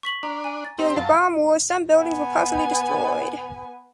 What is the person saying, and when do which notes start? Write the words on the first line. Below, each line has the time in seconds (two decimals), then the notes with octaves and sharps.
During the bomb war some buildings were partially destroyed.
0.03 C#6 B6 F#7
0.23 D4 A#5
0.44 G#5
0.65 A6
0.79 C4 G4
0.96 F#2 F5 A5
1.97 B3 G#5